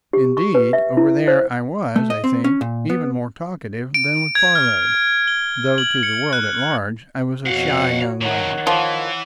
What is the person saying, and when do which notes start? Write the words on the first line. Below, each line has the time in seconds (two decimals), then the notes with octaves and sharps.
Indeed, over there I was, I think, even more talkative than with Parload, though to the world at large I was a shy young lout.
0.13 G4
0.37 C#6
0.55 B4
0.73 E5
0.97 E4
1.28 C5
1.96 A3
2.10 D#5
2.24 C4
2.44 C#4
2.61 A#2
2.90 B3
3.94 D7
4.35 G#6
4.55 F6
5.28 G7
5.78 F#7
6.03 C#7
6.33 F#6
7.46 F2 B2 F#4 C#5 F5 F#5
8.21 A#2 D#3 F#3 C#5 F#5
8.67 E3 F3